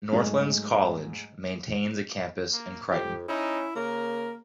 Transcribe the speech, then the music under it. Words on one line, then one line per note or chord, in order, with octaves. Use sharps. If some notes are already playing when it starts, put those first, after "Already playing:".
Northlands College maintains a campus in Creighton.
G#2 F#3 G#3 A3
A#3
F2 G4
C#4 D#4 E4
C#3 A#3 A#4